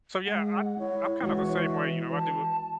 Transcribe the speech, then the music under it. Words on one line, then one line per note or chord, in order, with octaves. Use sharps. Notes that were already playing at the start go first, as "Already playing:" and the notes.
So, yeah, I I'm kind of the same way, you know. I do a
G#3 F#5
E4 C#5
E3 G#3 F#4
A5